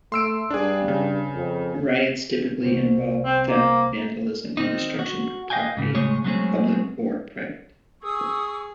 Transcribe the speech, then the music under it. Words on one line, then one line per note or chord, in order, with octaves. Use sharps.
Riots typically involve theft, vandalism, and destruction of property, public or private.
A3 C6 E6 D7
G2 D4 G#4
C#3
F2
C2 C3
C4
A#3 C5 F5
D#3 C4 D#4
F#4
B4 D#5 F5 G5 G#5
G#2 C#3
A2 C#3 G#3 A3 G#4 C#5
F#3 G#3 A3 C4 C#4 G#4
G#4 C#6 D#6 E6